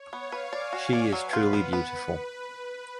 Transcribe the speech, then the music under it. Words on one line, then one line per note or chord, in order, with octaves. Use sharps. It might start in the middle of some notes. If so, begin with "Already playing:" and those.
She is truly beautiful.
Already playing: C#5
B3
F5
B4
D5 G#5
F#4
G#5
D5
F#3 B4
F4
B3
B3